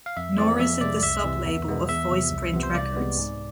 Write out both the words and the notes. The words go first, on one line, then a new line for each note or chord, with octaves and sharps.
Nor is it the sub-label of Voiceprint Records.
F5
F2 E5
E3 G#3 C4 D5
F2 E5
C3 G#3 D5
C2 E5
C3 E3
E2
B2 G#3 B3
E2 E5
C3 F3
C2
C3 F3 B3
C5
C2 D5
C3 G#3 B3
G#2